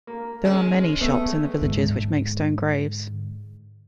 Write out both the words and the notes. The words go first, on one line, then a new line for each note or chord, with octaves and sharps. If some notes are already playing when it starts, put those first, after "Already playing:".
There are many shops in the villages which makes stone graves.
A#3
G#3 C#4 F6
A3 B3
G#2 D3